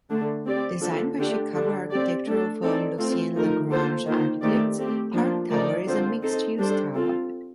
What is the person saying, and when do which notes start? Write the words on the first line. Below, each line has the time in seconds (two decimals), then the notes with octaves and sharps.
Designed by Chicago architectural firm Lucien Lagrange Architects, Park Tower is a mixed-use tower.
0.10 D3 A3 D4
0.45 C4 G4 D5
0.81 D3 F3 A#3 D4 A4
1.18 D3 A3 D4 G4
1.53 D3 G3 D4 A4
1.90 C4 G4 D5
2.26 A3 D4 A4
2.62 C4 D#4 A4 D5
2.98 A3 C4 F4
3.34 F3 A3 D#4 A#4
3.70 A#3 F4 A4 C5
4.06 D#3 A#3 F4 C5
4.42 D#3 A3 C4 G4 D5
4.78 A3 C4 G4
5.14 F3 A#3 D4 F4
5.50 F3 A3 D#4 A#4 D5
5.86 D3 F3 C4 F4 C5
6.22 C4 D#4 A4 C5
6.58 G3 D4 A4 C5
6.94 C4 F4 A4